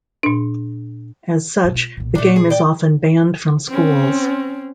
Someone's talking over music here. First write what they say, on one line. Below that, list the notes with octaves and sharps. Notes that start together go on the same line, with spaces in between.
As such, the game is often banned from schools.
A#2 D4
G2 B2
F4
B1 A#2
A#2 A3 D4
G#4
D5 G5
C4 C#4